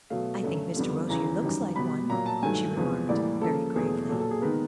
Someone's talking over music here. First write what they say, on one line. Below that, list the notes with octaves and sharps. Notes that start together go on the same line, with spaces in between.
"I think Mr. Rosier looks like one!" she remarked very gravely.
B2 F#3 A3 F5
F#2 D3 F#3 A3
F2 D3 G3 B3
E2 C#3 E3 A#5
F#2 D#3 G3
B2 G3 B3 B5
A#2 F#3 A#3 A#5
A5
G2 D#3 F#3 A3 G#5
E2 C3 F3 G#3 B3
A2 E3 G3 A#3 D5
C#3 F3 A#3 A4
E2 B2 F#3 A3 G#4
A#2 F#3 A#3 A4
A4
G#4
D#3 G#3 B3 A#4